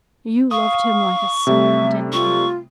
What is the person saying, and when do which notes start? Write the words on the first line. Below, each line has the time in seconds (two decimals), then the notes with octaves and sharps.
You loved him like a son; didn't you?
0.51 F5 C#6 D#6
1.47 C3 G3 A3 E5
2.13 F4 C#6